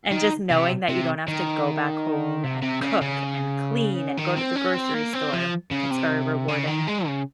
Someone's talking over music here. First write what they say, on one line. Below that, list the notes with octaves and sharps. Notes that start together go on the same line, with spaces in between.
And just knowing that you don't have to go back home and cook and clean and go to the grocery store. It's very rewarding.
D#3
C3
C3
D#3
C3
C3
C#3
C#3
D#3
C4
C#4
C4
A#3
C4
F3
C#3
C3
C#3
D#3
G#3
C#3